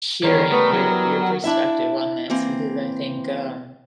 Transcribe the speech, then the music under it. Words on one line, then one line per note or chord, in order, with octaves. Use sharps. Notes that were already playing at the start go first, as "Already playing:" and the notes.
hearing your your perspective on this because I think, um,
E2 G#2 E3 G3 A#4 C#5
A3 B3 C#6
E3 F#3 B3
D4 E4 E5
E3 A#3 C4